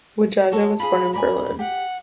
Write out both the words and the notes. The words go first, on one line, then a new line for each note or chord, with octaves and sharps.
Widjaja was born in Berlin.
F#4 A4 C#5
F4 G#4 B5
A#4 D5 G#5 B5
G4 F#5